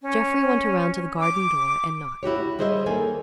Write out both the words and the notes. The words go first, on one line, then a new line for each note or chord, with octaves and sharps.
Jeffrey went around to the garden door and knocked.
C#4
D6
E4 F#4 G4 C#5
G3 G#4 C5 C#5 D#5 E5
D#3 A#3 A4 G#5